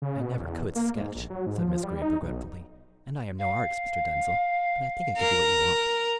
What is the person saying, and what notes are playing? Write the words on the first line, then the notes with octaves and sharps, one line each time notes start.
"I never could sketch," said Miss Greeb regretfully, "and I am no artist, Mr. Denzil, but I think I can do what you want."
C#3
B2
E2
A#3
G#2
A#1
F#3
G#2
F3
G3
D#4
B1
F5
A#4